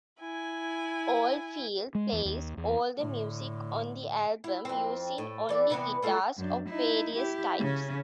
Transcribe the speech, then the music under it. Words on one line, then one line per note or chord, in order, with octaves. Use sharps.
Oldfield plays all the music on the album, using only guitars of various types.
E4 G#5
G#3
E2
D#2
E2
A2 D3
E4
F2 C4
A2
E3 D5
C3 E3 B3
G#3 A3 F4
F#2 D4
D#4 E4
E4 G4
C#3 C#4